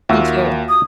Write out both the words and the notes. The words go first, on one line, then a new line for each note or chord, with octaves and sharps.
Me too.
D#2 A#3 F4 F#4 E5
D#6